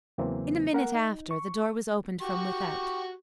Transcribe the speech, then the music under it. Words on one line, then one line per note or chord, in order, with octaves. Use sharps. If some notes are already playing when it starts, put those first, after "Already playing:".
In a minute after, the door was opened from without.
E2 C#3 E3 F#3 A#3 C4
A#3 A#4 F#5
D#4
C#6
F#4 G4 C#6